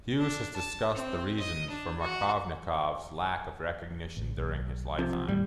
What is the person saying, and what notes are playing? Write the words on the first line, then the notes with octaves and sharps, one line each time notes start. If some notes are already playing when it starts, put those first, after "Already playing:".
Hughes has discussed the reasons for Markovnikov's lack of recognition during his lifetime.
D4
A5
C4
D#5
D4
F#4
A1
B1
C3 F3
D#2 A2 G3